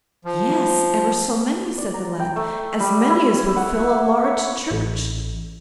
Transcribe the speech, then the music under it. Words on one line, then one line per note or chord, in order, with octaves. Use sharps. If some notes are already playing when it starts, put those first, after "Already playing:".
'Yes, ever so many', said the lad, 'as many as would fill a large church.'
F3
D5
A#5
G5
A3
G3
E4
F#5
E5
C#5
A1